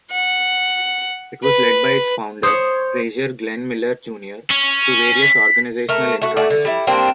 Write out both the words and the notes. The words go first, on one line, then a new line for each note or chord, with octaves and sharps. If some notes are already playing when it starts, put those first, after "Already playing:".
It was led by its founder, Frazier Glenn Miller Junior through various organizational incarnations.
F#5
B4
C5 C#5 D#6
C#4
B6
A3 A#4
A3 F#4
A3 F#4 D5
D3
G3 E4
G3 A#3 C4 D4